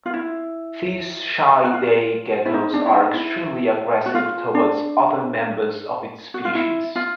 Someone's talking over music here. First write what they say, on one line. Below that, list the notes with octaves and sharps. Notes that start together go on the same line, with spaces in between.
These shy day geckos are extremely aggressive toward other members of its species.
F4
E4
F#4
F4
E4
D#4
D4
E4
D#4
E4
F#4
F4
D4
F#4
F4
E4
F4